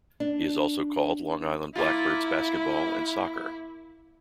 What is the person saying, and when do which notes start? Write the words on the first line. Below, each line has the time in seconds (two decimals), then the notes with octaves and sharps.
He has also called Long Island Blackbirds basketball and soccer.
0.20 D4
1.75 A#3 E4 F4